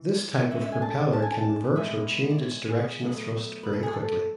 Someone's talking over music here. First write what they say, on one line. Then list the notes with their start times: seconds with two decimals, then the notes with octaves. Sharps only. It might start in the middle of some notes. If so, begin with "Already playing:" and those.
This type of propeller can reverse or change its direction of thrust very quickly.
Already playing: F#2 E3
0.51 D2 D3 G#3 C#4 E5
0.62 E5
0.72 G#5
0.82 A5
1.13 A5
1.22 G#5
1.32 A5
1.76 B2 G#3 B3 E5
2.30 D5
2.38 C#5
2.69 G#4
3.01 B2 F#3 A3
3.63 B4
3.73 A4
3.83 G#4
3.93 A4